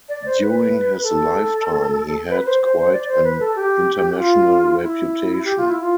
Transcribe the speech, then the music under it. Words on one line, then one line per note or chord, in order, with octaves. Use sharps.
During his lifetime he had quite an international reputation.
D5
C5
B4
A4
B4
B4
C5
C5
C5
D5
C5
B4
A4
G4
F4
E4
G4
F4
E4
F4